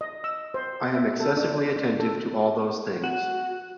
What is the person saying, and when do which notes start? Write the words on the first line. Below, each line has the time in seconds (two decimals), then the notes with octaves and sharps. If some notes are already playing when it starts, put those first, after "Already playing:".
I am excessively attentive to all those things.
0.01 D#5
0.24 E6
0.54 C5
0.94 E5
1.20 A4
1.37 D4
1.76 D4
2.00 A4
3.04 F#4